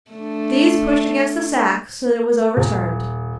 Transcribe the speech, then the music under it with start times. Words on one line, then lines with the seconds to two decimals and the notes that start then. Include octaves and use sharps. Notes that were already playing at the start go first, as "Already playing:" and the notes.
These pushed against the sack so that it was overturned.
0.11 A3 D4
2.57 D#1